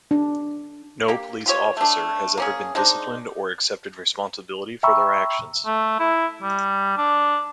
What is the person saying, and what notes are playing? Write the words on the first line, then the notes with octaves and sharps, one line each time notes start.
No police officer has ever been disciplined or accepted responsibility for their actions.
D4
A#3 G4
F4 G4 C#5
A3 D4
A#3 C#4 G#4
G#3 C4 D4 D#4
E5 G5 A#5 B5 C#6 E6
A3
E4
G3
D4